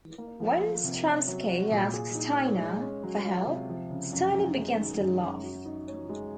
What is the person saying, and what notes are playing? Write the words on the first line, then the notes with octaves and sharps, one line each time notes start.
When Stransky asks Steiner for help, Steiner begins to laugh.
A#3
F3
F4
C3
C#4
F#3
F#4
A#2
G#4
D#4
C#5
G#3
C#4
F#3
F4
C3
F3
C#3
F#2
F#2
G#3
D#3
F#2
F#2
F#4
D#4
C#5
G#3